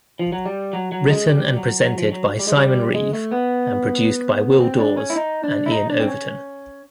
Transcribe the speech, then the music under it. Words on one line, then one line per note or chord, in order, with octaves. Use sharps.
Written and presented by Simon Reeve, and produced by Will Daws and Iain Overton.
F3
F#3
G3
F#3
F#3
G#3
G3
F#3
F#3
F3
F#3
G3
G#3
G3
G#3
A3
B3
C4
D4
C#4
E4
D#4
D4
E4
D#4
D4
C4
C#4